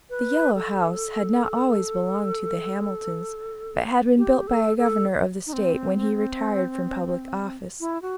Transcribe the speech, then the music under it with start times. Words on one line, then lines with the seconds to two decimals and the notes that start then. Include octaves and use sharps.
The Yellow House had not always belonged to the Hamiltons, but had been built by a governor of the state when he retired from public office.
0.10 B4
0.55 A4
4.18 G4
4.47 A4
4.78 A4
5.47 D#4
5.53 C4
7.80 E4
8.02 F#4